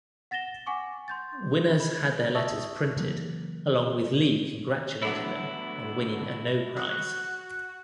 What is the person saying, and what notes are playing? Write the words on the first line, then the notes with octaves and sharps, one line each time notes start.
Winners had their letters printed along with Lee congratulating them on winning a No-Prize.
F#5 A6 A#6 E7 G7
F#5 G#5 C#6 D6
C6 G6 A6
B5
D5 E5 A5 C#6 D#6 E6
C#3 E3 F#3 A#3
A2 D3 F#3 B3 D4 E4
F#4 F#6